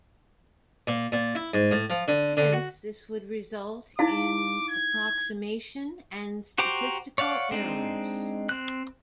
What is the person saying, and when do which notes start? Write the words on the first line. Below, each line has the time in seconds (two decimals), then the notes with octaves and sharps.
Hence, this would result in approximation and statistical errors.
0.87 A#2
1.12 A#2
1.35 E4
1.54 G#2
1.71 A2
1.90 F3
2.08 D3
2.37 D3
2.53 F#4
3.99 D#4 E4 F5 D6
4.69 G#6
6.58 F#4 G4 C5 A#5 D6
7.18 C#5 D5 F5 F#5 D6
7.51 G#3 C4 D4 D#4
8.49 C4 F#6